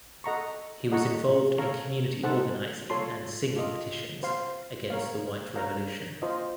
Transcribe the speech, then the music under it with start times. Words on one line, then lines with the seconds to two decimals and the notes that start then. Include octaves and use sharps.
He was involved in community organizing and signing petitions against the White Revolution.
0.24 A4 D#5 F#5 A#5 C#6
0.92 A4 D#5 F#5 A#5 C#6
1.58 A4 C#5 F5 A#5
2.24 D#4 A4 C5 F#5 A5
2.90 F4 A4 C#5 A5 C6
3.56 F4 A4 D#5
4.23 C5 F5 C6
4.90 A#4 C#5 F5
5.56 A#4 C#5 F5 A#5
6.22 F4 C5 D#5